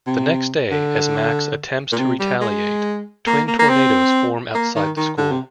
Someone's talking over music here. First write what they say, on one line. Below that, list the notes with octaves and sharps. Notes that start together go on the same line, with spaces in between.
The next day, as Max attempts to retaliate, twin tornadoes form outside the school.
C3
D3
A#2
C3
G3
G#3
A#3
A#3
A#3
C4
A#3
D#3
D#3
D3
C3